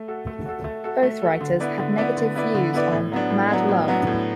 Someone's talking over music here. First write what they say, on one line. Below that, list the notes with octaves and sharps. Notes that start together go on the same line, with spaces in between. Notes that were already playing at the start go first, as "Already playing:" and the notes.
Both writers had negative views on "Mad Love".
Already playing: A3
F#4 A4
A3
F#4 A4
A3
F#4 A4
A3
F#4 A4
D3
B3 E4 B4 D5
D3
B3 E4 B4 D5
D3
B3 E4 B4 D5
D3
B3 E4 B4 D5
A2
F#3 B3 D4
A2
F#3 B3 D4
A2
F#3 B3 D4
A2